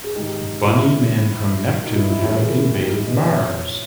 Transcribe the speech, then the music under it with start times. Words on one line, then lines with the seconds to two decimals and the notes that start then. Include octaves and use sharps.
Bunny men from Neptune have invaded Mars!
0.04 G#4
0.16 G#2 D#3 D#4 G4
0.67 G#2 E3 E4
1.18 A#2
1.71 A#2
1.84 D#4
1.96 E4
2.10 E4
2.22 G2 E3 E4 G#4
2.39 E4 G#4
2.48 A#4
2.56 E4 G#4
2.73 G2 D#3 D#4 G4
2.91 E4
3.08 B4 D#5
3.25 A#2 C#5 E5